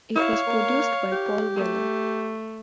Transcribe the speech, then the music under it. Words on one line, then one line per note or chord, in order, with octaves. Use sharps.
It was produced by Paul Weller.
E4 C#5 F5
A#3
G4
A3